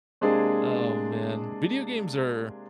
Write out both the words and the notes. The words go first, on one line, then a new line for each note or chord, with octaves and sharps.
Oh, man. Video games are
C3 G#3 A#3 C4 D4 G#4